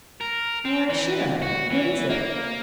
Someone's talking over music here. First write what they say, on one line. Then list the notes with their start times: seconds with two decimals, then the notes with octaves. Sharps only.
"Why should I? What is it?"
0.21 A#4
0.65 C4
0.90 E3
1.42 F#4
1.71 E3
2.10 A#3